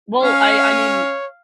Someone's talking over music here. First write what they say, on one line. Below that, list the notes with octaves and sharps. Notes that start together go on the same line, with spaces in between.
Well, I I mean
C#4 C#5 F5